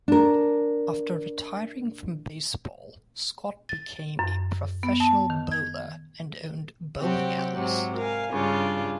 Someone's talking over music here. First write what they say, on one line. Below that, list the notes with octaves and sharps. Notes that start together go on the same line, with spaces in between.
After retiring from baseball, Scott became a professional bowler and owned bowling alleys.
D4 A#4
A6
F#2
B3
A5
D#3
G#6
C3 F#3 C4 F#4 G4
G#2 C3 F#3 C4
A#4 F5 G#5
G2 C#3 D4 F4